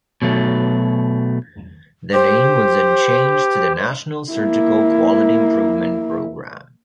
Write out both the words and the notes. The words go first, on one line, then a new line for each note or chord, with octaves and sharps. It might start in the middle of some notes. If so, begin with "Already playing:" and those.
The name was then changed to the National Surgical Quality Improvement Program.
B2 F#3 A3
G4 C5
A#3 E4